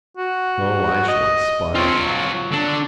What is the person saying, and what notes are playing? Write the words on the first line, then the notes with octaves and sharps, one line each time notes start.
O, I shall expire!
F#4
D#5
C4 F4 C#5
F#3
D3 D4